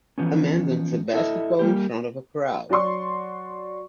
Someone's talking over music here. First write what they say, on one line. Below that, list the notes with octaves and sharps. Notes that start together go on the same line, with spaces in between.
A man dunks a basketball in front of a crowd.
E3 F3 B3 C#4
E4 A4 D#5 E5
G3 A#3 G4
F#3 F#4 D5 C6 C#6